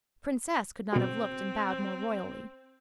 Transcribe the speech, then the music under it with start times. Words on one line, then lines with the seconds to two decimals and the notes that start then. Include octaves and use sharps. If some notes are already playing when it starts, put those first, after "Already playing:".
A princess could not have looked and bowed more royally.
0.93 B2 C4 F#4